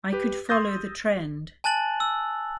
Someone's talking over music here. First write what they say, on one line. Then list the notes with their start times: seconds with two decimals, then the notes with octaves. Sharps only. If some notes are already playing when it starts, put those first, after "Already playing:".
I could follow the trend.
0.13 G4 B4
0.49 C6 D#6 E6 G6 A6 A#6
1.64 G#5 A5 F#6 A6 F#7
2.00 E6